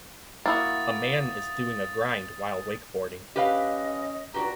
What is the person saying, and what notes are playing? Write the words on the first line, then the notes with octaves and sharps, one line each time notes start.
A man is doing a grind while wakeboarding.
A#3 E4 F#4 D#6 A6
C#4 G4 B4 D#5 F5
C#2 D4 F#4 G4 B4 A#5